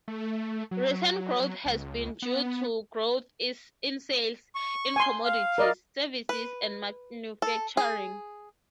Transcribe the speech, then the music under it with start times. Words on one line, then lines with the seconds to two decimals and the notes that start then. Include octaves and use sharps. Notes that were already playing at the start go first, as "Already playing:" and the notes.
Recent growth has been due to growth in sales in commodities, services, and manufacturing.
0.08 A3
0.71 F#3
1.66 C#2
2.22 B3
4.55 C#6
4.96 G#5 C6
5.25 F5
5.58 A#4 D5 D#5
6.29 B4
7.42 A4
7.77 G#4